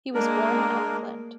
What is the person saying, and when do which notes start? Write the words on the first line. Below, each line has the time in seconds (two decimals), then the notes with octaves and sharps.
He was born in Auckland.
0.14 G#3 A#3 D4 A#4